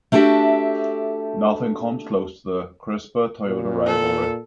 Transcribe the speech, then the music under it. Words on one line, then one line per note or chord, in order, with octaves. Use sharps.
Nothing comes close to the Crispa-Toyota Rivalry.
A3 D4 F#4 G4 A4 E5
A#2
A4